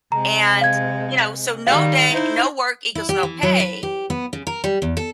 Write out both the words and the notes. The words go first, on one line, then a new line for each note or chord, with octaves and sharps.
And, you know, so no day no work equals no pay,
C3 G#3 A#5
F5 G#6
D#3 G3 F5
D#4 E4 C5
E4
G4
E3
F#3
B4
G4
B3
C#3
A#4
G3
E2
A4